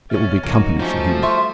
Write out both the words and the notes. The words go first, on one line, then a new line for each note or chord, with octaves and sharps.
It will be company for him.'
B2 C#4 E5 F6 A6
C#3 F3 A#3 C#4 D#4 F#4
F3 G3 A3 C#4 D#4 F4 F#4
E5 C6 C#6